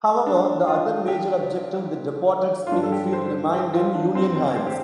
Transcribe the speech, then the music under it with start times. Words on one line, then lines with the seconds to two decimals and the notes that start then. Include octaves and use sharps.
However, the other major objective, the depot at Springfield, remained in Union hands.
0.27 D4
0.67 F4
1.08 G4
2.67 F4
2.71 G2 F3 D4
2.83 A4
2.92 G4
3.13 C5
3.53 G4
3.73 F4
3.94 D4
4.15 C4
4.36 C4
4.55 C5
4.67 G4